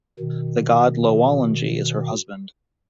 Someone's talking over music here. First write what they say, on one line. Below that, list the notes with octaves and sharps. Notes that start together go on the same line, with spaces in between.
The god Lowalangi is her husband.
B2 D#3